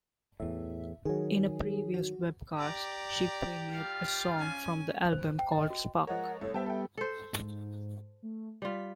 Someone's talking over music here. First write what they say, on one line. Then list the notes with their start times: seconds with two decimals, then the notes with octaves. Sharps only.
In a previous webcast, she premiered a song from the album called "Spark".
0.40 E2 A2 E3 E5
1.05 D#3 F#3 G#4 G#5
1.94 F#4
2.58 G4 D5 A#5
3.68 G3 F4 F5
4.38 C#4 G#5
5.13 C5
5.39 G5
5.52 D#5
5.70 F#4
6.07 F3 G#3 A#4 C#5 F#5
6.41 C2 A3 C#5
6.54 G3 B3 C5 E5 G5 A5
6.66 A4 E5 G5
6.97 A4 C5
7.32 G#2
8.23 A3
8.62 G3 F4 B6